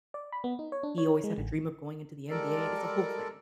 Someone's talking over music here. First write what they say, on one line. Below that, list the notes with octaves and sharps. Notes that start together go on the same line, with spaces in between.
he always had a dream of going into the NBA it's a whole thing.
D5
B5
B3
D#4
C#5
D4
C#5
G#3
A1
G3 G#3 A4 A#4 D5